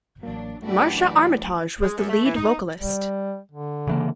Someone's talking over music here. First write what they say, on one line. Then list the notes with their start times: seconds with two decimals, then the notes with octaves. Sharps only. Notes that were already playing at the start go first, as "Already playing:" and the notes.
Marsha Armitage was the lead vocalist.
0.23 A1 F#3 A#3 D4
0.62 F#2 E3 A3 D4 F#4 G4 D5
1.82 G#3
1.98 F#2
2.09 A3
2.25 E3
2.36 D#4
2.79 G3
3.52 D3
3.87 C#3 E3 A#3